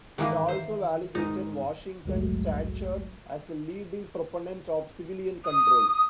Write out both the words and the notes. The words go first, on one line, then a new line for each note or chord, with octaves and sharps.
It also validated Washington's stature as a leading proponent of civilian control.
G#2 D#3 E3 A#3
C5 E5
G#2 D#3 G#3 D#4
A1 D2 G2 F#3 G#3 A3
D#6